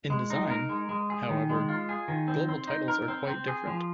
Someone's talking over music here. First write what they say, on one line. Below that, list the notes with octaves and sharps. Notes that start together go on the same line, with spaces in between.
In design, however, global titles are quite different.
G#3
D#4
A#4
G#3
G#3
G#4
D#3
G#3
F4
G#4
D#3
C4
C4
D#4
A#4
C4
C4
G#4
F3